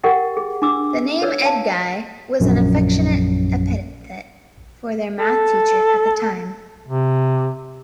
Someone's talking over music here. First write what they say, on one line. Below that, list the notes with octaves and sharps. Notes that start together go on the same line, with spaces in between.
The name "Edguy" was an affectionate epithet for their math teacher at the time.
G4 A#4 D#5 F#5 G5
G#4
D4 D6 E6
B4 C#5 D5 E6
F5 A5
A#1 F#2
A4
C3